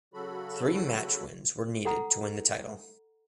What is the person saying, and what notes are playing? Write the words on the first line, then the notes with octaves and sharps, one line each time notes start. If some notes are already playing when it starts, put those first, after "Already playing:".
Three match wins were needed to win the title.
C#3 F#3 F#4 A4 B5
A4 F#5 A#5